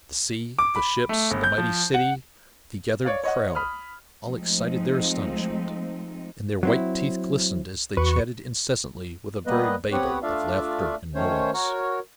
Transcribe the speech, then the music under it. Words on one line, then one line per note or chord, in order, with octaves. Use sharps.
The sea, the ships, the mighty city, the gathered crowd, all excited their astonishment, and their white teeth glistened as they chatted incessantly with a very babel of laughter and noise.
D6
B5
A3
G1
G6
F3
F#5
C#5 D5 F5
C#5 D#5 F#5
B5 D#6 F6
F3 G#3 A3 C4 D#4
F#3 C4 E4
E2 F#4 B4 C#6
G3 A#3 B3 B4 D#5
B3 C4 G4 B4 C#5 F#5
A3 D4 F4 D5 E5 F5
D#3 A3 C#4 C5 C#5
F#4 A#4 C#5